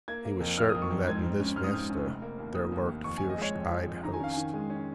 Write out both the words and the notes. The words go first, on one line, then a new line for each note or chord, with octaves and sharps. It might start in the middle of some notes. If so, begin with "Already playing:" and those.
He was certain that in this vista there lurked fierce-eyed hosts.
A#3 G#6
A#3
F2
A#3 F6
D#6
F2
C#6
F2
G#2 G#6
G#2
C#4
G#2 F6
D#6
G#2 F6
C#4
F1
A#3
D#2
D#2 D#6
D#2
D#2
F2 C#6
F2 G#5
D#5
G#3 C#5
F2
F3
F2
D#3 A#5
G#5
C#4 F5
D#3 G#5
G#3
C#4